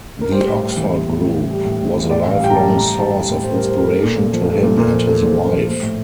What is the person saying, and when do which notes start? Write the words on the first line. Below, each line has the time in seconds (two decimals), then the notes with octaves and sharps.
The Oxford Group was a lifelong source of inspiration to him and his wife.
0.21 A#4
0.32 G3 C5
0.47 A2
0.62 A2
0.77 E3
0.91 G3
1.07 A2
1.21 A2
1.36 E3
1.51 G3
1.65 A2
1.81 A2
1.96 E3
2.10 A2 D5
2.21 E5
2.26 A2
2.32 F5
2.40 G3 G5
2.50 A#5
2.55 G3 A5
2.70 A2
2.78 A#5
2.85 A2
2.99 G3 A5
3.15 G3
3.30 A2
3.44 A2 C5
3.55 A#4
3.59 G3
3.66 C5
3.75 G3 A#4
3.89 A3
4.04 A#2
4.19 A#2
4.33 F3
4.49 A3
4.63 A#2
4.78 A#2 A#4
4.92 F3
5.08 A3
5.23 A#2 C5
5.37 A#2
5.45 C5
5.52 F3
5.67 A3 C5
5.82 A2